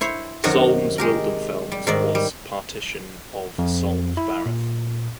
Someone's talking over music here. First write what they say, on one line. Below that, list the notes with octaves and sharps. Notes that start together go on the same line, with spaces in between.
Solms-Wildenfels was a partition of Solms-Baruth.
E4 C5 C#5
F#2 C3 D#3 F#4
G#3 G4 A#4
G3
G#2 D#3 D5
G3
F2
E4
A#2